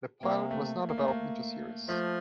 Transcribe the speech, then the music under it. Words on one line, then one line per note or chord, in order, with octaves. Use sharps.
The pilot was not developed into a series.
C3 A#3
A3
A#3
A3
A#3
F3 A3